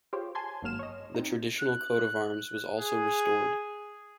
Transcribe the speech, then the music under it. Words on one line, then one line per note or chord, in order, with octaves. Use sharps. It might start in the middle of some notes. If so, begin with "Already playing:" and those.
The traditional coat of arms was also restored.
F4 G4 G#4 C5 C#5
G#5 A5 C6 G#6
G#1 G2 F#3 A#3 F6 E7
C#5 D#5
C4 D#4
F#6
G#4